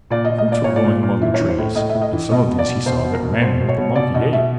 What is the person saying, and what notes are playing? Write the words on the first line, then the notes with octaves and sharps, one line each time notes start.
Fruits were growing among the trees and some of these he saw that Manu, the monkey, ate.
A#2 D5
D#5
A#2
D#5
A#2 D5
A#2 C#5
D5
A#2
A#2
E3 E5
C#5
E3
C5
A2
A2 D#5
E5
A2
D#5
E3
B2 D#5
B2
D5
B2
B2 C5
B2
A#4
B2
B2 C5
B2
C#5
B2
B2 D5
B2 D#5
B2 E5